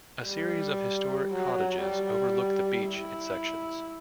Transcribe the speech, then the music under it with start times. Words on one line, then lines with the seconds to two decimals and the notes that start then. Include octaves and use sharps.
A series of historic cottages overlook the beach in sections.
0.26 G3
1.31 F#3
1.83 G3
2.88 E4